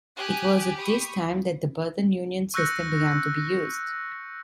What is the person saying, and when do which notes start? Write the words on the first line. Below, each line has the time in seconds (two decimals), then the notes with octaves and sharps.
It was at this time that the Burton Union system began to be used.
0.17 G4 G#5 D#6 F#6
0.77 B5 C#6 D#6
2.54 C#6 E6 F#6 G6 A#6 C#7